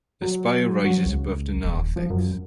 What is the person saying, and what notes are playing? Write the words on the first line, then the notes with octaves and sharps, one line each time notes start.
The spire rises above the narthex.
F#3
F#3
C#2
D#1
F3
F#2